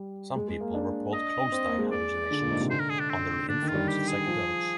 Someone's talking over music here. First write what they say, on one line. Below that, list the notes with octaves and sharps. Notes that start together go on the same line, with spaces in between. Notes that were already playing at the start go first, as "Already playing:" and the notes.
Some people report closed-eye hallucinations under the influence of psychedelics.
Already playing: G3
G#3
G#3
A#3
D4
D#5
C4
A#3
G#3
G#3 D5
D3
A#2
G#2
C3
D3 C5
A#4
G#4
D4
C4
D3 D4
D#3
F4
G3
G4
G#4
F3